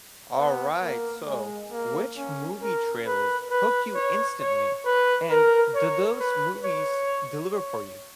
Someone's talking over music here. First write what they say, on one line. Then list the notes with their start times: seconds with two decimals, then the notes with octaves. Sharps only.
All right, so which movie trailers hooked you instantly, and did those movies deliver for you?
0.37 B3
0.83 A#3
1.27 G#3
1.72 A#3
2.17 C#4
2.61 A#4
3.06 B4
3.50 B4
3.95 C#5
4.41 C#5
4.85 B4
5.30 A#4
5.75 C#5
6.20 B4
6.64 C#5
7.53 C#5